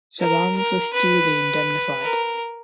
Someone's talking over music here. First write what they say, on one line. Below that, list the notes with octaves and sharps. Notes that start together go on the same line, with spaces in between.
Chabannes was duly indemnified.
A#4
A#4
B4
A#4